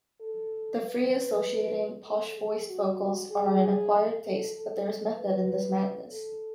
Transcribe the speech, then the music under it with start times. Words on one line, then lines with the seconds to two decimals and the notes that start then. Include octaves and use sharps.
The free-associating, posh-voiced vocals are an acquired taste, but there's method in this madness.
0.20 A4
0.83 B4
2.07 A4
2.38 G#4
2.68 F#4
3.31 G#4
4.24 A4
4.55 A4
5.17 B4
6.10 A4